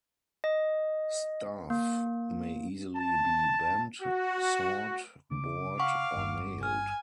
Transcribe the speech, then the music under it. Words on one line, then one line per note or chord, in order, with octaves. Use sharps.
Staff may easily be bent, sawed, bored, or nailed.
D#5
A#3
A5
F#4
C#3 D6
F5 F#5 C#6
G1 G2
G#5 F6